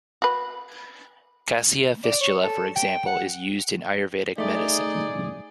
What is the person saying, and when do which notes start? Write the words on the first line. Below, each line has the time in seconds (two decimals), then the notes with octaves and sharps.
"Cassia fistula", for example, is used in Ayurvedic medicine.
0.22 F#4 B4
2.04 D5
2.21 C#5
2.43 A4
2.76 G5
3.06 F#5
4.38 A3 D#4 G#4 D5